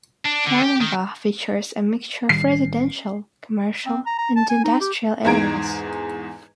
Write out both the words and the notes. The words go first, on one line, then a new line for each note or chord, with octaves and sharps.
Caringbah features a mixture of residential, commercial and industrial areas.
D4
D3
G4
D#3
A1 D#3 G3 C7
C4
A#5
A#5
A5
G#5
D#4
G4
E2 G#2 G#4 A#5 G#6 D7